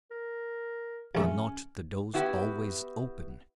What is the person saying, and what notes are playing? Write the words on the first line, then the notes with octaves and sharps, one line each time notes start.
Are not the doors always open?
A#4
A#1 A3 C#4
B3 E4 F#4 G4 B4